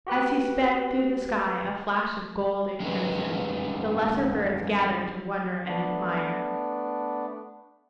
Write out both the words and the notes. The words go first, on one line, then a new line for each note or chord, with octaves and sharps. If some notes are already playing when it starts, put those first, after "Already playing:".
As he sped, through the sky, a flash of gold and crimson, the lesser birds gathered to wonder and admire.
F#4 G4 B4 F#6
G3 G#3 C#4 D#4 A#4 B4
A3 B3 D4